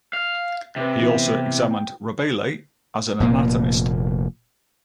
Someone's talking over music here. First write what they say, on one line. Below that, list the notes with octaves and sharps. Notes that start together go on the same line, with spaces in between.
He also examined Rabelais as an anatomist.
F5
C3 C4 B4
E3 B3
G5
F1 A#2 A#3